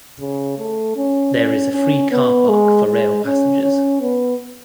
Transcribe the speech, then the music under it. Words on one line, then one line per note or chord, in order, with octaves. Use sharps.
There is a free car park for rail passengers.
C#3
A3
C#4
C#4
C#4
B3
G#3
G#3
C#4
C#4
B3